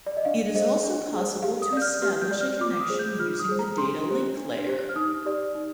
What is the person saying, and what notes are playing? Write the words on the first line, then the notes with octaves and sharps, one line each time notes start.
It is also possible to establish a connection using the data link layer.
D5
D#5
D4 F5
G#4 C5 D#5
D4
G#4 C5
G4 F5
D#6
D5 G6
F6
G4 F6
G6
D5
F6
F4 D6
D#6
G#4 C5
G6
F4 F6
D#6
G#4 C5
A#5
D4 C6
G4 C5
D4
G4 C5
F6
D#4 D#6
G4 D5
D#4